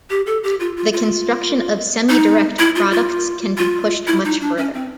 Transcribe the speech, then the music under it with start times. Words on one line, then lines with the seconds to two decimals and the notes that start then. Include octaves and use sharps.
The construction of semidirect products can be pushed much further.
0.10 G4
0.26 A4
0.44 G4
0.60 F4
0.77 F4
0.93 F4
2.09 D#4
2.59 E4
2.75 F4
2.92 F4
3.58 F4
4.07 E4
4.25 D#4
4.41 D4
4.58 C#4
4.74 C4